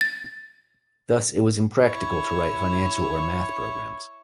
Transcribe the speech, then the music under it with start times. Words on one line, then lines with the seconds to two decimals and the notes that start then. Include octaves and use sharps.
Thus, it was impractical to write financial or math programs.
0.01 A6
1.83 E4 C#5